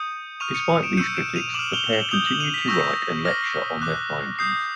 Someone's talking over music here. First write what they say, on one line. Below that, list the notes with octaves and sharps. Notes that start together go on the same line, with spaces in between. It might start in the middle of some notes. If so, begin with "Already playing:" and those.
Despite these critics the pair continued to write and lecture on their findings.
Already playing: D#6 G6 C#7 D#7
C#6 F6 D#7 F7
C#7 D#7
D7 E7
C#6 E6 G6 C#7 D#7
D7 E7
D#7 F7
D6 F6 E7 F#7
F7 G7
E7 F#7
D#6 G6 F7 G7
E7 F#7
D#7 F7
B6
C#6 E6 G6 A#6
D6 F6 A#6
D6 F#6
D#6 G6 C7